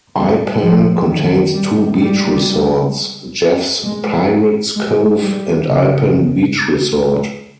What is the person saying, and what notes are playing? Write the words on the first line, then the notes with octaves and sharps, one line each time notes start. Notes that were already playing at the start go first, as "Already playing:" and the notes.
Ipan contains two beach resorts: Jeff's Pirates Cove and Ipan Beach Resort.
G3
F3
D#3
G3
G3
G#3
G#3
G3
C#3